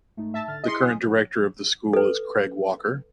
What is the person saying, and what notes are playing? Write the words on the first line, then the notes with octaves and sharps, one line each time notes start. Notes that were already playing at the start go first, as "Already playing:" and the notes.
The current director of the School is Craig Walker.
G#2 A3 D#4
A2 E5 A5
D3 F6 A6
E4 G#4 D#5 C6 B6 C#7
G#5 D#6
A4 B4